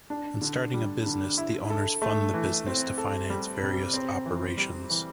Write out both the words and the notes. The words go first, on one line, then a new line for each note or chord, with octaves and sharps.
When starting a business, the owners fund the business to finance various operations.
D4
D3
G3
D3
E4
A4
A3
E3
C4
A4
G3
C3
C4
E3
G3
E3